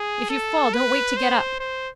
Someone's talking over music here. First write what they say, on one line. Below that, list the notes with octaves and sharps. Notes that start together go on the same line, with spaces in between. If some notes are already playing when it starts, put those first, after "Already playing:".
If you fall don't wait to get up.
Already playing: G#4
A4
B4
C5
C5